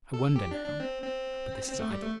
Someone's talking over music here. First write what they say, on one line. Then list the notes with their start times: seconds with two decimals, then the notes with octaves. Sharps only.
I wonder now--But this is idle.
0.14 A4
0.36 G4
0.51 D4
0.65 D4
0.80 C4
1.02 C4
1.68 C4
1.79 A3
1.90 G3
2.02 A3